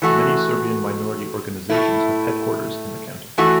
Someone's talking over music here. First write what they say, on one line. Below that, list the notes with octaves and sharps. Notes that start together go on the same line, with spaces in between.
Many Serbian minority organizations have headquarters in the county.
E3 A3 F#4
A2 A3 E4
E3 A3 F#4